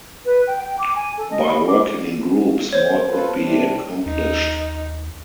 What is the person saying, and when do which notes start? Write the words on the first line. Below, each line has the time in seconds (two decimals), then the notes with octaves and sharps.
By working in groups more could be accomplished.
0.25 B4
0.47 G5
0.62 G5
0.78 D6
0.95 G#5
1.17 A4
1.30 D#5
1.48 B5
1.67 D6
2.73 C5 C#5
3.09 F4 A4 B4
3.40 C3 G3 D4
4.06 D#2 D#4